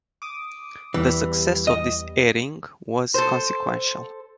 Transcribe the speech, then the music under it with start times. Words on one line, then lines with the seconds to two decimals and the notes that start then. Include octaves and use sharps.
The success of this airing was consequential.
0.22 D6 D#6
0.94 E2 E3 G3
1.67 D#5
3.14 A4 C5